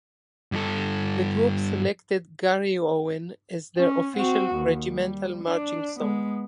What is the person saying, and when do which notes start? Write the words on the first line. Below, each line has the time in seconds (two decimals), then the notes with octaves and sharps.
The group selected "Garryowen" as their official regimental marching song.
0.52 G2 A4
3.77 C#4
4.16 C4 F#4
4.55 D#2
4.87 G3
5.44 D4
5.99 G#3 B3